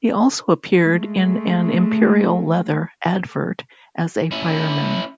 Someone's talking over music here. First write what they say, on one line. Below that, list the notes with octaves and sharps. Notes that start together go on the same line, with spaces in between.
He also appeared in an Imperial Leather advert as a fireman.
G#3 A3
C#4 E4